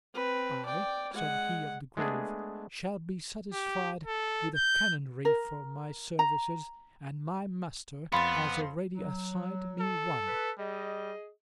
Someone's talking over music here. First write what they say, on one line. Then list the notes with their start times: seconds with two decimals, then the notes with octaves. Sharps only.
"I," said he of the Grove, "shall be satisfied with a canonry for my services, and my master has already assigned me one."
0.14 C4 B4
0.66 D5 G5
1.14 G#3 F#5
1.97 G#3 A3 B3 D4 G#4
3.53 G4
4.06 A4
4.55 G6
5.25 A#4
6.19 A#5
8.13 F2 B3 F5 B5 C6 A6 C#7
8.95 F#3
9.80 A4
10.27 B4
10.59 G3 G#4 D#5